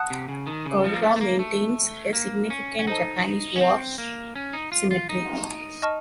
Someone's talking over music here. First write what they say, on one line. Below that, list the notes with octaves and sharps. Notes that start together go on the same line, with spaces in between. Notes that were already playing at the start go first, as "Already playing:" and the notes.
Cowra maintains a significant Japanese war cemetery.
Already playing: F#5 A5 D#6 F#6
C3
C#3
D#3
C#3
F3
A#3
A3
A3
A#3
A3
A#3
C#4
C#4
D#4 A4 C5 D#5 A5
C#4
C4
A#3
C#4
D#4
F4
F4
D#4
D#5 A5 C#6 F6